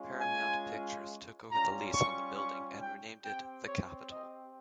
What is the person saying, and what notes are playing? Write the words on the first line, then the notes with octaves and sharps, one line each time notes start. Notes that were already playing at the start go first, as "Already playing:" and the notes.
Paramount Pictures took over the lease on the building and renamed it the Capitol.
Already playing: G#3 C#4 F4
G#5
G3 C#4 F4 A#5
C#6
C#6
G5
C4 G4 G5
C#5
D#5